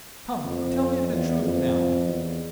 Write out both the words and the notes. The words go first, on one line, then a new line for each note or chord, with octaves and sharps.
"Come--tell me the truth now."
F2
E2
F2
E2